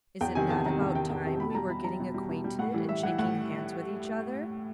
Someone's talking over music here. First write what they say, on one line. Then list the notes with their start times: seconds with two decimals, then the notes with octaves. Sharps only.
Is it not about time we were getting acquainted and shaking hands with each other?
0.21 E2 G5
0.35 C3 D#3 G#5
0.50 E2 A5
0.65 C3 D#3 A#5
0.81 E2
0.95 C3 D#3 G5
1.10 E2
1.25 C3 D#3
1.40 B2 B5
1.50 A5
1.55 G3 A#5
1.70 B2 B5
1.84 G3 A#5
2.00 B2
2.14 G3
2.29 B2
2.44 G3
2.59 A2 F#5
2.74 E3 G3
2.89 A2 E5
3.03 E3 G3 F#5
3.18 A2 F#5